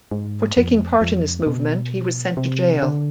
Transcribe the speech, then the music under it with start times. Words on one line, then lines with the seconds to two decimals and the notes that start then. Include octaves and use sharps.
For taking part in this movement he was sent to jail.
0.11 G#2
0.57 F2
1.01 F2
1.47 B2
2.37 C3
2.82 D3